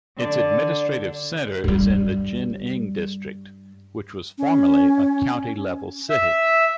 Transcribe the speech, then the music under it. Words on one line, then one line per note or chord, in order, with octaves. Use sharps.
Its administrative centre is in Jining District, which was formerly a county-level city.
D3 D5
G2 G3
C#4
E5